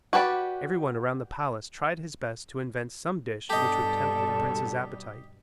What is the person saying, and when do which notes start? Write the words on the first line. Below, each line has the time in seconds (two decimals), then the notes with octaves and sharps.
Every one around the palace tried his best to invent some dish which would tempt the prince's appetite.
0.13 F#4 G4 B4 D5
3.50 G2 B2 G3 G4 A4 D#5